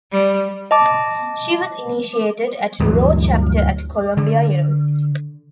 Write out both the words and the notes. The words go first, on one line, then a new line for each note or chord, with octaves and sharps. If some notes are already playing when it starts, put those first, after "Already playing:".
She was initiated at Rho Chapter at Columbia University.
G3
D#5 A5 D6
D2 G2 E3 F#3
D3